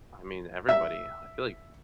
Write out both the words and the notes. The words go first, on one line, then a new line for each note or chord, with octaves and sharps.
I mean, everybody. I feel like
E5